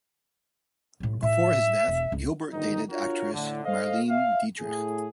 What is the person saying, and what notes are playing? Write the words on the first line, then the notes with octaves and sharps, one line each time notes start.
Before his death, Gilbert dated actress Marlene Dietrich.
A2 G3
A2 E5
E1
C#2
G1 D#3 D#4
D4 F4 F#4 A#4 C#5
A2 D3
A4 C5 D#5 F5
E5 F5
A2 G#4